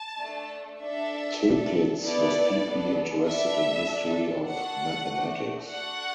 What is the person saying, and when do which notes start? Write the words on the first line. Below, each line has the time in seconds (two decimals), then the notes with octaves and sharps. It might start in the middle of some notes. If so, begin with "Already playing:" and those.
Toeplitz was deeply interested in history of mathematics.
Already playing: A5
0.20 A3 D4 A4
0.80 D4 A4 E5
1.42 D4 A4
2.02 B3 E4 A4 D5
2.63 B3 D4 A4
3.25 B3 D4 A4 E5
3.86 D4 A4
4.47 D4 F#4 A4 F#5
5.09 A3 D4 F#4
5.69 D4 F#4 A4 F#5